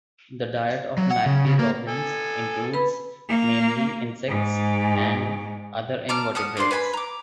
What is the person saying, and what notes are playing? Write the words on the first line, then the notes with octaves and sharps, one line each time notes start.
The diet of magpie robins includes mainly insects and other invertebrates.
F#3
F#5
C#3
C#3
A#3
A4 G#5
B4 B5
A#3
G#2
A5 A#5 D6 F6
F#5 A5 D#6 F6
A#3 D4 C5 C6
B4 G#5 A5 B5
A#5 D6